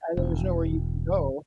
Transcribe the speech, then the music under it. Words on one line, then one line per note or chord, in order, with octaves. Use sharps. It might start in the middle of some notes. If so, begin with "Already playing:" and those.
I there's nowhere you can go.
E1